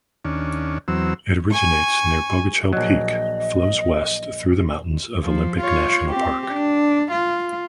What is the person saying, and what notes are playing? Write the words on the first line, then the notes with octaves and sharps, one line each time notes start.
It originates near Bogachiel Peak, flows west through the mountains of Olympic National Park.
D#2 C#4 D4
E2 F#3 C4 E6
G#5 C#6
A#1 F#3 D#5
F3
F4 C#5
C4 G4
D4
F4